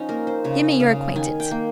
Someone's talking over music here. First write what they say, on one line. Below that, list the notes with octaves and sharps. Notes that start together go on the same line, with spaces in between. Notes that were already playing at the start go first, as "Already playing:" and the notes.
Give me your acquaintance.'
Already playing: F3 C#4 D#4 F4
A#3 A#4
C5
C#3 C#5
C#3 F5
D#3 G#5
G5
A#3